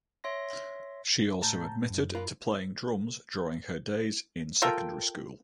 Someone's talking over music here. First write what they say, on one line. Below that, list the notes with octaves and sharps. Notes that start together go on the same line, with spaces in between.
She also admitted to playing drums during her days in secondary school.
C#5 E5 C6 A#6
A2 A5 A#5 G6
F#2
F4 A#4 B4
F4 A4 A#4 G5